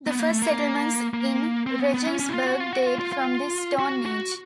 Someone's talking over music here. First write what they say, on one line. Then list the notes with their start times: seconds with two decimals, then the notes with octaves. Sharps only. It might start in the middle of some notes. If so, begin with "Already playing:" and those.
The first settlements in Regensburg date from the Stone Age.
0.07 B3
0.19 A#3
0.30 A3
0.42 A#3
1.14 A#3
1.67 C4
1.80 B3
1.94 B3
2.07 C#4
2.19 C#4
2.29 E4
2.33 F4
2.47 F#4
2.60 F4
2.73 F#4
2.86 F4
2.99 F4
3.12 F4
3.80 F#4
4.06 F#4